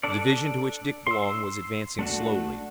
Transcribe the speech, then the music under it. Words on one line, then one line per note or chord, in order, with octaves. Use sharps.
The division to which Dick belonged was advancing slowly.
D4 A4 D5
C6 E6
A3 D4 F#4